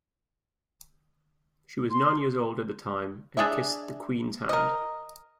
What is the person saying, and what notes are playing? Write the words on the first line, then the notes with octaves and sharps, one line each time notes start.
She was nine years old at the time and kissed the Queen's hand.
C6
D4 G#4 D#5 E5
A#4 D#5